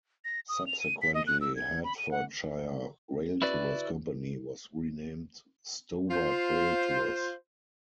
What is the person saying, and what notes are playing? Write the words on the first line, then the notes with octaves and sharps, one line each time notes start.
Subsequently Hertfordshire Rail Tours company was renamed Stobart Rail Tours.
A#6
D#6
F7
D#7
B6
D#5
F#6
E6
G#6
B5
D#7
F#5
E4 F#4 B4 D5
F4 C5